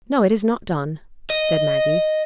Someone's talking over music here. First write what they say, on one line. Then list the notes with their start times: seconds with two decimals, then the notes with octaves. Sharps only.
"No, it is not done," said Maggie.
1.30 D#5